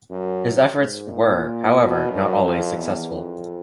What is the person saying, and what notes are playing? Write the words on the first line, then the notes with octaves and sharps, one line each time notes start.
His earlier efforts were, however, not always successful.
F#2
G#2
A#2
B2
F#2
F2
E2
F2